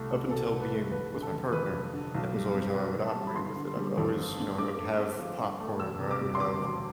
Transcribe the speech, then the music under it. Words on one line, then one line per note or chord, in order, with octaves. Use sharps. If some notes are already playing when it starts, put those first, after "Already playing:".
up until being with my partner, that was always how I would operate with it. I would always, you know, I would have popcorn, or I would have,
Already playing: C2 A3
C2
B2 A4
C2
B4
A3
F1 B4
D3
A4
F1
F2 B4
F1
D3
B1
G3
C4
B2 B4
B1
A5
G3
B5
G1 C6
D3
G3
F2
G1
D3
G2 D6
A3
C4
F3
G2
A3
E1 E6
C3
D6
G3
C6
D2 D6
E1